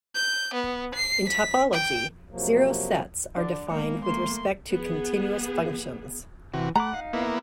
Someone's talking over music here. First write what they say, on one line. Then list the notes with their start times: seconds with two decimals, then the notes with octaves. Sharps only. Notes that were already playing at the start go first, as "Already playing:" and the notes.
In topology, zero sets are defined with respect to continuous functions.
0.15 G6
0.54 B3
0.95 C7
1.29 B6
1.73 G5
2.31 C3 F3 F#3 A#3
3.37 D3 D4 D5
3.70 G#3 A#3 B3
4.04 A3 A#3 C6
4.72 B3 G#4
6.54 C3 E3 F#4
6.76 A3 F#5 A#5 B5 D6
6.93 D#4 F5
7.13 A#3 B3 E4